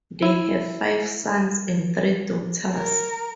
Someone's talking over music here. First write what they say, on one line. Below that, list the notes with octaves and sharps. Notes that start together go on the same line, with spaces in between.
They have five sons and three daughters.
E4
A#4